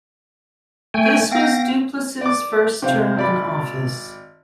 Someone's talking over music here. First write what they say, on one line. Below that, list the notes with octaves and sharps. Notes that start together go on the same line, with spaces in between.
This was Duplessis's first term in office.
A3 G5 G#5
B3 F5 G5 A#6
D5 D6
C3 C5 F5
G#1 D5 B5